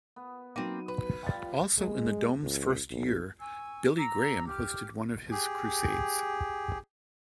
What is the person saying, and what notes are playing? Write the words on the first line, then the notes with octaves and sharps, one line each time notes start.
Also in the Dome's first year, Billy Graham hosted one of his crusades.
B3
F#3 A#3 C4 D#4 D#7
B4
F3 G3 G5 A6
G#3
C#2
B1
G#5 C#6 E6
A#5 D6 E6
G4 D6 F6
G4 G#4